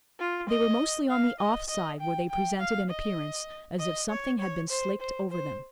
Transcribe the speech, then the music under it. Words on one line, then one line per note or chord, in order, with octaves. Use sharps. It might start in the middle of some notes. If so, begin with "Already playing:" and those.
They were mostly on the off side; where they presented an appearance, as if something had been slaked over them.
F4
D#5
F5
D#5
D#5
G5
G5
F5
D#5
D#5
C#5
C#5
C5
C5
C5